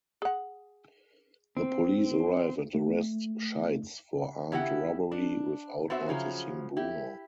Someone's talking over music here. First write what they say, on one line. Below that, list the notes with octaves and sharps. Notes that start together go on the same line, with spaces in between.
The police arrive and arrest Scheitz for armed robbery without noticing Bruno.
G#4 F#5
C4
A3
C#3 E4 G4 C#5 F#5
D4
B3 C4 F#4 C5 E5
C#3 F3 F#3
E4 G4